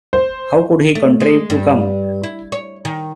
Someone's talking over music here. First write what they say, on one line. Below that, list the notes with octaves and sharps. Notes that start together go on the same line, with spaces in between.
How could he contrive to come?
C5
A3
G#3
G2
E4
C#5
D#3